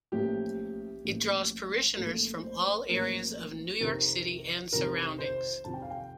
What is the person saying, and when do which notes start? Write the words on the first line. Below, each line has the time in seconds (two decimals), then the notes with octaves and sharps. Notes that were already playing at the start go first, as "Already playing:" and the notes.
It draws parishioners from all areas of New York City and surroundings.
0.12 A1 A2 F3 A#3 G4
1.05 A1 A2 F3 A#3
1.96 A1 A2 F3 A#3 A4
2.43 C5
2.89 A1 A2 F3 A#3 A#4
3.80 F2 C3 D#3 A#4
4.73 F2 C3 D#3 A#4
5.19 C5
5.64 F2 C3 D#3 A5
5.74 G5
5.82 F5
5.90 G5